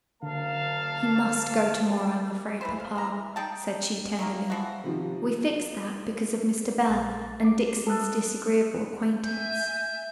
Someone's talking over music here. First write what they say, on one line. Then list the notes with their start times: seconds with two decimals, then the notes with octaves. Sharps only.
'He must go to-morrow, I'm afraid, papa,' said she, tenderly; 'we fixed that, because of Mr. Bell, and Dixon's disagreeable acquaintance.'
0.23 F#1 D3 A#3 F5 A5
2.61 E3 B4 C5
2.80 F5
2.95 E3 A#5
3.36 D#4 G#4 G5 A5
4.19 D#3 A3 A#3
4.50 E3 F3 F#4
4.84 C3 D#3 F3
6.88 A#1 A6
7.40 D6 C7
7.87 A4 A5 D#6 F#6
9.23 E5 G#5 G6